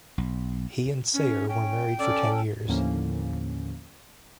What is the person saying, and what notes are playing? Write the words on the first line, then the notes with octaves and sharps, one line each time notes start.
He and Sayer were married for ten years.
B1
C#4
C#4 G5
C#4 A4 D5
D#2 A2 D3 F3 A#3 C#4